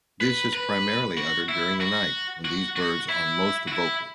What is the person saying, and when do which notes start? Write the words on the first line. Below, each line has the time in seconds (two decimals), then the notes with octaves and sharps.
This is primarily uttered during the night, when these birds are most vocal.
0.21 B4
0.53 B4
1.17 F#4
1.49 E4
1.81 F#4
2.45 F#4
2.76 F#4
3.09 E4
3.68 F#4
3.72 E4